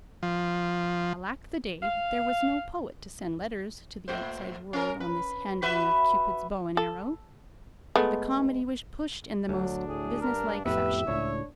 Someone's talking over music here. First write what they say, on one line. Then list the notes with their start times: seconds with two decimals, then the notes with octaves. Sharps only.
Alack the day, there was no poet to send letters to the outside world on this handling of Cupid's bow and arrow! The comedy was pushed in the most business-like fashion.
0.23 F3
1.83 F5
4.08 A#2 A3 C5
4.73 C#4 A#4
5.00 B4
5.62 F#4 B4 E5
6.77 A4
7.96 G#3 A3 B3
9.49 D2 F#3 D4
9.88 A2 G#4
10.21 G2 A#4
10.66 F2 A2 B3 G4 B4 E5
11.07 C#2 A2 D4 C#5